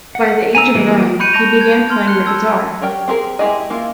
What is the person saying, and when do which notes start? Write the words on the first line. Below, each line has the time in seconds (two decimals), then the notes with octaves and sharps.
By the age of nine, he began playing the guitar.
0.15 F#5
0.55 G#5 A#5 E6
0.75 E3 G3 G#3 A#3
1.20 B5 C#6 F#6 G6 C#7 D#7
1.33 A5 C#6 G6 A#6 D7 F7
1.61 G#6
1.89 C6 F6 G#6
2.08 F#6 C#7 G7
2.25 A5 E6 G#6
2.81 F#3 G3 A#4 G5
3.08 C4 G4 G#4 A#4
3.39 G#3 E4 G4 G#4 D#5
3.70 A#3 E4 F4